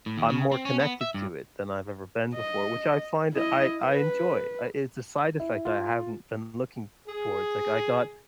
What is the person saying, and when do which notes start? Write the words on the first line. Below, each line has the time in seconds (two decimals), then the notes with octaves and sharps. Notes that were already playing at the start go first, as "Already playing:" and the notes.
I'm more connected to it than I've ever been before, which I find I I enjoy. I it's a side effect I haven't been looking towards. Like, I got
0.06 A2
0.18 D#2
0.30 C#3
0.52 C4
0.65 C#4
0.80 B3
1.01 E5
1.14 G2
2.34 D#5
3.33 E4 D#5
3.86 B4
5.40 E4
5.65 F4
7.07 G#4